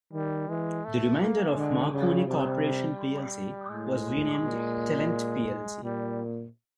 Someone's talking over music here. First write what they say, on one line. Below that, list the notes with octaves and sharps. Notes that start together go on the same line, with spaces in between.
The remainder of Marconi Corporation plc was renamed Telent plc.
D#3 G3
E3 G#3
A3
A#3
D3 G#3
C#3 G3
C3 G3
A2 G#3
A#2
A#2 G3